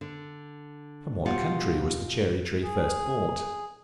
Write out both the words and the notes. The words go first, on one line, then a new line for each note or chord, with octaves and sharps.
From what country was the Cherry Tree first brought?
D3
B2 G3 F4 F5 F#5
G#4